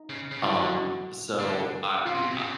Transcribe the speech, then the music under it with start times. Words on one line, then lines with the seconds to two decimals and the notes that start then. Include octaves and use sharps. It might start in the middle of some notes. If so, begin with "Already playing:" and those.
Um, so I I
Already playing: D#4
0.09 C#3
0.31 C#3
0.43 D3 E4
0.59 F#4
0.75 F#4
1.40 D3
2.05 C#3 F4
2.15 C3
2.22 B2
2.31 C3
2.39 C#3